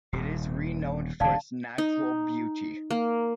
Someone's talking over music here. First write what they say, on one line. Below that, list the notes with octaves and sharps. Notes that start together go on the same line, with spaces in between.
It is renowned for its natural beauty.
D#1 D#2
E1 D2 D3 D5 F5 A5
D#4
A#3